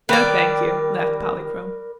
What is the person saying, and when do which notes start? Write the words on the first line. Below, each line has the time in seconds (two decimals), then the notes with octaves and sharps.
"No, thank you," laughed Polychrome.
0.09 D#3 G3 A#4 B4 D5